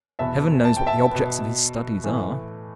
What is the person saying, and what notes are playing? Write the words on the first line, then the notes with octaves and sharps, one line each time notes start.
Heaven knows what the objects of his studies are.
E2 B2 B3 E5 A5
A5
G5
E5 A5
B2 B3
A2 E3 A3